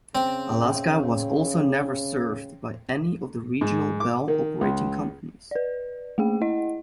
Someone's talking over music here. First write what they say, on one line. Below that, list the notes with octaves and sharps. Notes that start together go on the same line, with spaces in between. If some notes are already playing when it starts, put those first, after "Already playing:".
Alaska was also never served by any of the Regional Bell Operating Companies.
C#3 C4
G#2
D6
D#3
C#2
B4 D5
A3 A#3 G#4 G5
E4 D#5 F#5